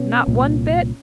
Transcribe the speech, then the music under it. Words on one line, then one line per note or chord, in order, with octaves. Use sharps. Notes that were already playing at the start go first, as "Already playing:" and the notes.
Not one bit?
Already playing: B2 B3 C#4
C2 A#2